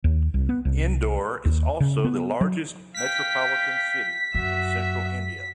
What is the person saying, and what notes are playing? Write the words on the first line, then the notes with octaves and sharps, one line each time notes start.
Indore is also the largest metropolitan city in Central India.
D#2
C2
B3
C2
D#2
C#3
B3
F#3
F5 G5 B6
F#2 F#4 E5